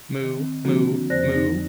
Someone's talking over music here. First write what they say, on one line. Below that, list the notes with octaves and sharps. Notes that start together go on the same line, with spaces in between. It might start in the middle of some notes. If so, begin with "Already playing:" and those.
Moo Moo Moo!
D#3 C4
D3 F3 A#3 C4 D4 F#4
F2 F3 C5 D5 F#6 A#6
D#4 A#6